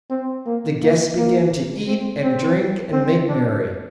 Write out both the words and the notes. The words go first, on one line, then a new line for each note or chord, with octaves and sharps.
The guests began to eat and drink and make merry.
C4
A#3
A#3
A#3
C4
C4
C4
D4